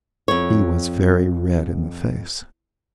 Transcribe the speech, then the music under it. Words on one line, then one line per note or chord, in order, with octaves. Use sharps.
He was very red in the face.
F2 C#5